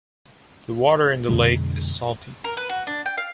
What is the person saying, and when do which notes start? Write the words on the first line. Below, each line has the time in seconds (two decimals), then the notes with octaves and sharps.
The water in the lake is salty.
1.29 F2 B2 D3 G#3
2.44 A#4
2.57 B4
2.69 F#4
2.87 D4
3.06 G5
3.17 F5